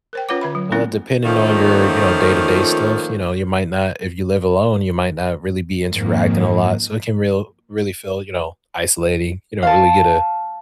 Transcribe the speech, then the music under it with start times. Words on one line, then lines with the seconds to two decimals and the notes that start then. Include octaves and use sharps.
uh, depending on your, you know, day-to-day stuff, you know, you might not if you live alone, you might not really be interacting a lot, so it can real really feel, you know, isolating, you know, really get a
0.13 A#4 C5 G5
0.29 C#4 F4 B4 C#5 F#5 D6
0.41 D3 E5 B5
0.55 F#3
0.72 A#3 C4 C#4 E4 A#4
1.25 D#3 F3 A3 A#3 C#4 F4
5.91 F2 G#2 D#3 A#3
9.62 F5 A5